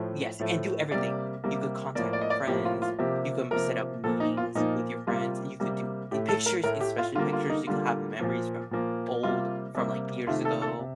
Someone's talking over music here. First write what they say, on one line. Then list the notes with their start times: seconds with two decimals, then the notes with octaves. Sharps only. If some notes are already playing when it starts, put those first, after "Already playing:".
Yes, and do everything. You could contact your friends, you come set up meetings with your friends, you could do i pictures, especially pictures, you could have memories from old from like, years ago,
Already playing: A2 F3 A3
0.40 A2 F3 A3
0.91 C3 G3 A#3 D5
1.44 C3 G3 A#3
1.95 A2 F3 A#3 D5
2.13 D5
2.21 D#5
2.30 D5
2.47 A2 F3 A#3 G4
2.65 F4
2.82 F4
2.99 C3 F3 A#3 G4
3.51 C3 F3 A#3 A#4
4.04 A#2 F3 A#3 A4
4.20 D#4
4.37 F4
4.55 A#2 F3 A#3 D#4
5.07 C3 G3 A#3 F4
5.60 C3 G3 A#3
6.11 A2 A3 G4
6.29 A4
6.46 A#4
6.64 A2 A3 A#4
6.80 G4
6.98 F4
7.15 D3 G3 A#3 F4
7.33 F4
7.50 D#4
7.67 D3 G3 A#3 F4
8.19 A#2 F3 A#3
8.71 A#2 F3 A#3
9.23 C3 G3 A#3 F4
9.75 C3 G3 A#3
10.27 C3 D#3 A3 F4
10.45 A4
10.62 A4
10.79 C3